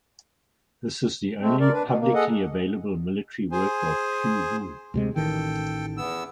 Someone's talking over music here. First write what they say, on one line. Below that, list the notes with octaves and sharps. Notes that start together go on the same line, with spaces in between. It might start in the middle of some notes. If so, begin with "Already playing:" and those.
This is the only publicly available military work of Qu Wu.
G#3 A3 C4
A#4 D5
D4 B4
B2
A#3
G#4 A4 D#5 F#5
G#4 C5 G#5
D2 C3 G#3
A1 D#3 E3 A4 G5
E2 B3 E6